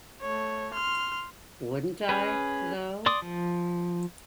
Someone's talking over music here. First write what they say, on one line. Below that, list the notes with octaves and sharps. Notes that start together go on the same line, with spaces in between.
Wouldn't I, though?
A3 C#5
C6 F6
C#4 G#4 B4
D5 C6 D6 D#6
F3